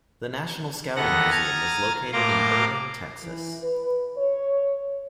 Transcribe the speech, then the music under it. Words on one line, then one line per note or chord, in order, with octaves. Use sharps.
The National Scouting Museum is located in Irving, Texas.
D#2 B3 A4 F#5 A#6
A#5 D#6 F6 G#6 A6
A2 A#3 F5 A#5 C6 D6
E3
B4
C#5